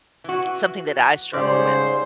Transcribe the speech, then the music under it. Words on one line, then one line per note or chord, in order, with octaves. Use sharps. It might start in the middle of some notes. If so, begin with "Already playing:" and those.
something that I struggle with.
E3 F#4
G#2 C#3 G3 C5 D5